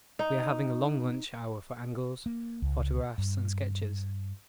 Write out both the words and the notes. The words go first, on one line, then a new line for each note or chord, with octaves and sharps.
We are having a long lunch hour for angles, photographs, and sketches.
D#4
A#3
C#2
G2